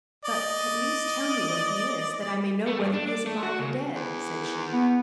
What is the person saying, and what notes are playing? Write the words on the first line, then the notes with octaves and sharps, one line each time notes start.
"But, at least, tell me where he is, that I may know whether he is alive or dead," said she.
D5 D#5
A3
G2
D4
D5
A3
F#4
C#3
E2
B3